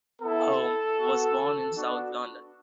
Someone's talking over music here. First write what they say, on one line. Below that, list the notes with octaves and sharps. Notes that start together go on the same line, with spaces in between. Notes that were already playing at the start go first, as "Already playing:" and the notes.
Home was born in South London.
B3 E4 A4
B3 F#4
B3 D4 F#4